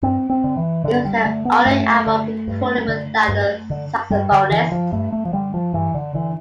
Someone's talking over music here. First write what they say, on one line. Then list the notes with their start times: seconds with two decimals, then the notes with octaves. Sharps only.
It was their only album recorded without a saxophonist.
0.02 G2 C4
0.30 C4
0.44 D3
0.57 E3
0.84 G2 D3
1.05 G3
1.25 D3 A3
1.45 B3
1.65 G2 A3
2.06 D3
2.47 G2
2.88 D3
3.28 G2
3.70 D3
4.10 G2 G3
4.32 D3
4.51 D3 E3
4.72 F3
4.92 G2 A3
5.12 A3
5.25 F3
5.33 D3 G3
5.54 F3
5.74 G2 E3
5.94 D3
6.15 D3 E3